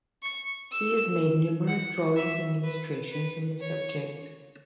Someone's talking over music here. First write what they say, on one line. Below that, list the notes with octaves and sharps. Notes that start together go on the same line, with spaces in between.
He has made numerous drawings an illustrations on the subjects.
C#6
E6
F#5
E5
B4
B4
C#5